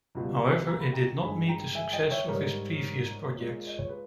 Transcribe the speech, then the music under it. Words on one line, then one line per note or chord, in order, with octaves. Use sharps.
However, it did not meet the success of his previous projects.
C#2 B2 G3
A#5
B5
G5 A#5
G2 D#3 G#3 G#5 B5
G5 A#5
E5 G#5
D#5 G5
G5
C#5 E5
G#2 G3 A#4 C#5
A#2 G#3
D#5
C#5
G#4 B4